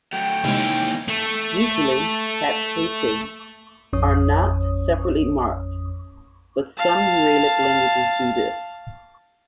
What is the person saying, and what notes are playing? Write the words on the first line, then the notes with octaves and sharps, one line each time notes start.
Usually captatives are not separately marked, but some Uralic languages do this.
F#3 A3 G5
C3 E3 G#3 A#3 C#4 D#4
A3 A4
A1 F2 C#4 C#5 D#6
F5 A5